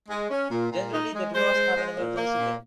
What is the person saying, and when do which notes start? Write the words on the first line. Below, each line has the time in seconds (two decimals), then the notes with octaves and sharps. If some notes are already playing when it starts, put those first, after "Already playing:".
Generally, they do not have an emergency lane.
0.09 G#3
0.30 C#4
0.51 A#2
0.71 A#2
0.92 D#4
1.14 G#3
1.34 G#3 C5
1.55 G#3
1.76 G#3
1.97 A#2
2.17 A#3
2.37 A#2